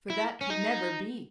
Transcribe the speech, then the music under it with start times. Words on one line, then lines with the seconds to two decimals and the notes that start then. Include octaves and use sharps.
For that could never be.
0.10 E4
0.41 C#4
0.50 D#4